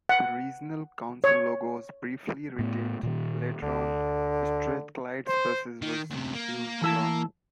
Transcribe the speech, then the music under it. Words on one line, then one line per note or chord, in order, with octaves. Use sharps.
The Regional Council logo was briefly retained, later on "Strathclyde's Buses" was used alone.
F#5
C#5
A2 A3 B3
A#2 D#3
D2 D3
C5
D#3
D2 C3
A#3
E3 E4 A5